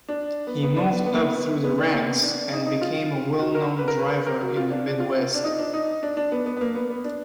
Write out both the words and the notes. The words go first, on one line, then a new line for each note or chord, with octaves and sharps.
He moved up through the ranks, and became a well-known driver in the Midwest.
D4
B3
B3
D4
B3
B3
A#3
B3
B3
D4
A#3
B3
D4
D#4
D#4
F4
F#4
A#4
B4
A#4
B4
A#4
F#4
F4
D4
D4
F4
D4
D#4
D4
D#4
D4
D4
B3
B3
B3
A#3
B3
B3
D4